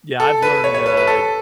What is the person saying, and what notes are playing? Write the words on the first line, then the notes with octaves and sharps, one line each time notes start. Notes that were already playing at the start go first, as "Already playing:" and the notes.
Yeah, I've learned, uh,
A4
B4
C#5
C#5
B4
B4
A4